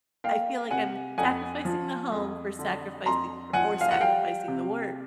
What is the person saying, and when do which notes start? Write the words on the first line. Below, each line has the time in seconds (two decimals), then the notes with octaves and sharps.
I feel like I'm sacrificing the home for sacrifici or sacrificing the work,
0.24 A#3 F5 G5
0.71 C3 F#5 G#5
1.18 F2 F#5 G#5
1.65 F3
2.12 F2
2.59 D3
3.06 F2 A#5 C6
3.53 F3 F#5 G#5
3.81 F5
3.91 F#5
4.00 G3 F5 G5
4.48 C3